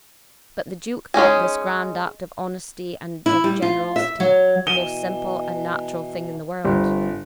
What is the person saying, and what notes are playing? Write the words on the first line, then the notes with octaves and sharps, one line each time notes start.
But the duke thought this grand act of honesty and of generosity the most simple and natural thing in the world.
G#3 C#4 D#4 G#4
E4
G3
F4
E5
F#3
B2 E3 D#7 E7 G7
G1 G3 C4